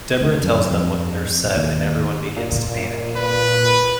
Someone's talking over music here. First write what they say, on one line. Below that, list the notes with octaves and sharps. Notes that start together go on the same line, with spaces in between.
Debra tells them what the nurse said and everyone begins to panic.
D2
F#2
F2
D#2
A#2
B4